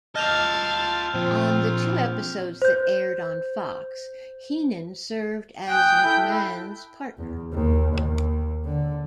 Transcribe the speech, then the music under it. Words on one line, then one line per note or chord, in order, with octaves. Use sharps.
On the two episodes that aired on Fox, Heenan served as McMahon's partner.
F4 D#5 F5 A5 F6 G6 F7
A#2 F3 C4 F4
C5 G6
G5 G#5 D#6 F#6 G6
E4 A4 B5
E2
D#2
D#2
D3